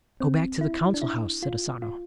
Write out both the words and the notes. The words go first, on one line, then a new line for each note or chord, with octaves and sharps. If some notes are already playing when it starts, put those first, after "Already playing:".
"Go back to the Council House," said Asano.
C4
E4
D4
E4
F4
F4